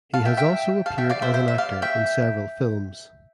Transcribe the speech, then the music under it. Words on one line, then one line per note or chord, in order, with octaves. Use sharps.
He has also appeared as an actor in several films.
F5 A5
E5 G5
E5 G5
F5 A5
E5 G5
D5 F5
C5 E5
C5 E5
E5
D5 F5
E5 G5